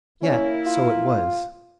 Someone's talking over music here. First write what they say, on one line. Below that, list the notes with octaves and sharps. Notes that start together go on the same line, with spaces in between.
Yet so it was.
A#3 C#4 E4
F4